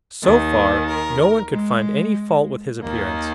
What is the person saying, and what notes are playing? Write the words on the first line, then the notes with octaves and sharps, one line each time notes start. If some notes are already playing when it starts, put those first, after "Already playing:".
So far no one could find any fault with his appearance.
D#2 D#3
A#4
G#3
D#2 D#3 A#3